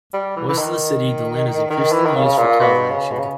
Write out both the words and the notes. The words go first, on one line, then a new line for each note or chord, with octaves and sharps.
West of the city, the land is increasingly used for cattle ranching.
G3
E3
E3
D#3
D#3
E3
D#3
C#3
A#2
B2
C#3
B2
C#3